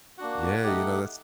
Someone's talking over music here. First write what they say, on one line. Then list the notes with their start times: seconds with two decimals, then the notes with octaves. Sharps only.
Yeah, you know, that's
0.18 A#3 D4 F#4 F#5
0.63 A3 D#4 G4